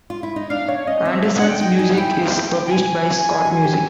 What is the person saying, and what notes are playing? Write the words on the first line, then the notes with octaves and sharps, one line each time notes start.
Anderson's music is published by Schott Music.
F4
E4
D#4
D4 F5
D4 C#5
C#4 D#5
C4 E5
C#4
D4 F#5
G5
D#4 G5
G#5
D#4
F#5
E4 G5
G5
G#5
F#4
G4